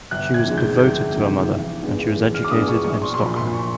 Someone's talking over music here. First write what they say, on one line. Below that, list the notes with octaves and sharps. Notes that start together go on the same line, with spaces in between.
She was devoted to her mother and she was educated in Stockholm.
G1 F#6
G#6
F2 C3 D#3 G#3
G6
G1 G6
F2 C3 D#3 G#3
A1
G2 E3 G#3 B3
A1
F6
D6
G2 E3 G#3 B3 D#6
C#6
A#1 C#6
C6
C6
A#2 F3 B5
C6
C#6